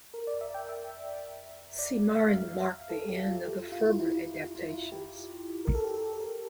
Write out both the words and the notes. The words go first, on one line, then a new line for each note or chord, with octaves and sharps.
"Cimarron" marked the end of the Ferber adaptations.
A#4
D5
E5
G5
E5
D5
F5
E5
F5
A4
G4
F4
G4
F4
F4
E4
F4
E4
E4
F4
F4
E4
F4
G4
A#4
A4
G4
A4
A4
A#4